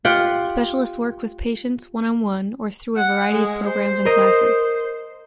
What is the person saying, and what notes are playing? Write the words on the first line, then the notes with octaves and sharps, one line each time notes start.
Specialists work with patients one-on-one, or through a variety of programs and classes.
F4 G4 F#5 G5
F#5
G#3
C5
A#4 D#5